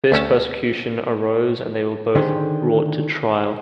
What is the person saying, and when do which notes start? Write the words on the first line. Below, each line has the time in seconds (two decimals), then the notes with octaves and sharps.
A fierce persecution arose, and they were both brought to trial.
0.12 D2 A3 C#4 A5
2.15 D3 D#3 C#4 G4 G#4 C5